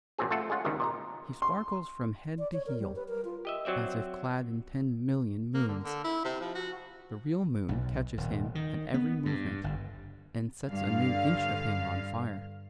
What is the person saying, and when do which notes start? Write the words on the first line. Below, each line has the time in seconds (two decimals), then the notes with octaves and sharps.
He sparkles from head to heel, as if clad in ten million moons; the real moon catches him at every movement and sets a new inch of him on fire.
0.18 A1 A#2 F#3 C4 G#4
0.31 A3 F4 A4 F#5
0.50 G#3 C#4 F4 F#5
0.65 G#1 C#2 G#2 C3 D#3 G3
0.80 A#2 D#5 A#5
1.42 C6
2.38 D5
2.53 C#5
2.66 A#4
2.79 G3
2.96 B4
3.09 A#4
3.25 F4
3.45 G4 D#5 E5
3.65 F#3 C4 D5 E5
5.54 A#3
5.68 D3
5.84 D3
6.04 E4
6.24 C3
6.41 F3
6.55 F#4
7.69 B1
8.17 D#1
8.55 D#3
8.94 B3
9.25 G2
9.64 G1
10.68 G2 D3 F5